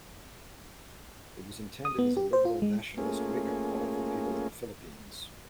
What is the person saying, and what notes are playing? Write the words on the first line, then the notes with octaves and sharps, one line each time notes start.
It was intended as a liberal-nationalist wake-up call for the people of the Philippines.
D#6
B3
G4
C5
F4
G#3
A3 A#3 C#4 F4 G#4